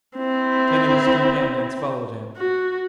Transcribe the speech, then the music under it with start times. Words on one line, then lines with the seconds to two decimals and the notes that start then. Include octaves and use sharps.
Ten of his companions followed him.
0.17 C4 E4
2.37 F#4